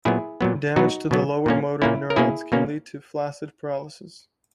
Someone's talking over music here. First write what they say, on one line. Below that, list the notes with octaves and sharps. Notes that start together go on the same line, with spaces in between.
Damage to the lower motor neurons can lead to flaccid paralysis.
A#2 F#3 B3 E4 G#4
A#2 F#3 B3
B2 F#3 B3 D#4 F#4
B2 F#3 B3
A#2 A#3 C#4
A#2 A#3 C#4 E4
A#4
B2 A#3 C#4 E4 G#4
B2 A#3 C#4